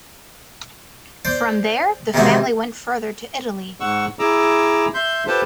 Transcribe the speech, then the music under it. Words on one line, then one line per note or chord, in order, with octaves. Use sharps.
From there, the family went further to Italy.
C5 D5
C3 D#3 E3 G#3 E4 F#4
G#2 F#5 C#6 E6
E4 G#4 A#5 D6 E6
E5 C6 G6
F4 G4 A4 B4 C5 A5